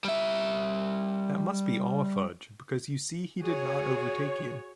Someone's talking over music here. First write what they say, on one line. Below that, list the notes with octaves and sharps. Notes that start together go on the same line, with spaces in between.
That must be all a fudge, because you see he did not overtake you.
G3 E5
F#4 G#4 C#5